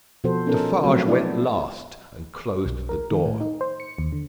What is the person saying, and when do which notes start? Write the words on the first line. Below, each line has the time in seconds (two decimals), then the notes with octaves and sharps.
Defarge went last, and closed the door.
0.24 B2 F3 F#4 A4 C5
0.46 B3 C#4 D#4 A4 A#4
0.84 F3 F#3 A3 C4 F#4
1.07 B3 D4 E4 D5
2.66 B1
2.89 A#4
3.11 D#3
3.25 A2
3.40 D#4
3.61 C5
3.80 C#7
3.98 D#2
4.12 D3